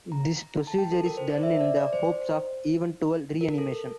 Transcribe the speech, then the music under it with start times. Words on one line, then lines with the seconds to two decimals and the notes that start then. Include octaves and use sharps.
This procedure is done in the hopes of eventual reanimation.
0.12 A#5
0.67 A5
0.78 G5
0.92 A4
1.06 A#4
1.17 C5
1.31 D5
1.43 E5
1.61 D5
1.77 D5
1.93 C5
3.41 A#4
3.58 A4